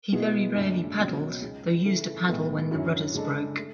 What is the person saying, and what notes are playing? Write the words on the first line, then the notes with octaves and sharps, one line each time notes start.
He very rarely paddled, though used a paddle when rudders broke.
B2 G#3 B3 E4 G#4
F#1 F#2 D3 G#3 D4
C#2 B2 F#3 C#4
C#2 C#3 G#3
C#3 E3 A3
B1 A2 G#3 B3
F#2 D3 F#3 C#4 E4
C#3 G#3 D4 A4
A3